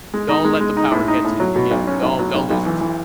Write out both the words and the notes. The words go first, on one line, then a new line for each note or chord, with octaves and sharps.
don't let the power get to you yeah, don't don't lose yourself.
G#3
D#4
G#3
G#3
D#4
A2
D#4
A2
F#3
B2
B1
C#4
B1
F#3
B1
B1
E3
E3